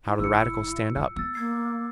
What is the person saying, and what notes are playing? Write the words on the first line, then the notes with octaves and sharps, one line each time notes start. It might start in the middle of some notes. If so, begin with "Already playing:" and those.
"How do the radicals stand up?"
E4
G1 E6 C#7
F4
B3 E6 A6
A#3 G#6 C7